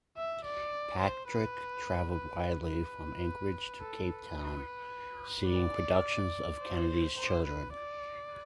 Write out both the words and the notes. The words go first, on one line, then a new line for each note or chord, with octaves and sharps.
Patrick traveled widely, from Anchorage to Cape Town, seeing productions of Kennedy's Children.
E5
D5
C5
B4
B4
B4
A4
B4
D5
C5
C5
B4
D5